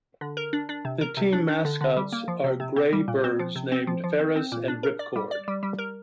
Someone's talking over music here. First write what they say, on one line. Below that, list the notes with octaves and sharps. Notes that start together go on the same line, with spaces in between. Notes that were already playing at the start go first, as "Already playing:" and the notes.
The team mascots are gray birds named Ferrous and Ripcord.
D3
A#4
D4
D4
C3
A#4
C3
D4
D4
D3
D3
G3
A#3
F3
C3
C3
C4
G3
A#2
C4
F3
C3
C4
F3
F3
C4
C4
A#2
D4
A#4
D5
G3
D5
G3
G3
A#4